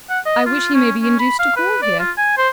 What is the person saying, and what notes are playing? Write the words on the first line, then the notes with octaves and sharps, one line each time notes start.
I wish he may be induced to call here.
F#5
D#5
F4
C#4
C#4
B5
F5
B4
D5
F4
G#5
C5